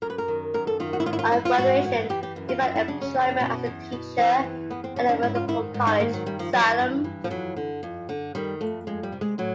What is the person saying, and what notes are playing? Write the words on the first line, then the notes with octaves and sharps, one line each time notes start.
On graduation, he found employment as a teacher at Municipal College, Salem.
F#2 A#4
B4
A#4
D#3
F#2 A#4
A4
D#3 F4
F#4
E4
G#2 F4
E4
F4
E3 E4
F4
G#2 F#4
E3
E3 G4
G4
F#2
F4
F#2 F4
E4
C#3 D4
C#4
E2
B2
E2
B2
E3 C4
E2
E2 B3
C4
C#3 C#4
D4
G#2 E4
F4
D#3 E4
G#2
D#4
D#3 A#3
F#3
G2 G3
F3
E3 F#3
G2
E3
F3
F2 F#3
D3
F2
D3
D#3 G3
F2 A3
F2 G#3
G3
C3
G#3
A2 F#3